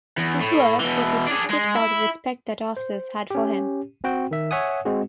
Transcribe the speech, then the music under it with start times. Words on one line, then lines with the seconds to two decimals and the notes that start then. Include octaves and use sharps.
His work was assisted by the respect that officers had for him.
0.17 E2
0.41 A2
0.80 B2 E3
1.27 D4 G#4
1.50 G#3
1.76 E4
2.77 C5
3.30 C#4 G4
4.04 C4 F#4 G5
4.31 D#3 E5
4.51 C#5 E5 F#5 G#5 D#6
4.85 G#3 C4 F#4 G#4